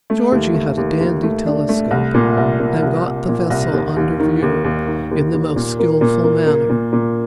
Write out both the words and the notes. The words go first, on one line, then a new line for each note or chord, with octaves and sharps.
Georgy had a dandy telescope and got the vessel under view in the most skilful manner.
A3
D#2
A3
D#2
D#2
A3
D4
A3
C2
A#2
C2
A#2
C2
C2
A#2
C2
D#2
D#2
D#3
D#2
D#2
D#3
D#2
D#2
A#2
A#3
A#2
A#3
A#3
A#2
A#2